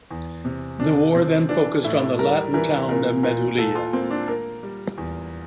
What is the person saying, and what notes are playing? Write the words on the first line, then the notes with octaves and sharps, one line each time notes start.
The war then focused on the Latin town of Medullia.
E2
C3
C3 D4
C3 C4
E3 D4
A2 E4
G3 A#4
E3 A#4
A#2 A#4
A#2 A#4
A#2 A4
F4
A#3 C4
D4
A#3 A#4
G3
E2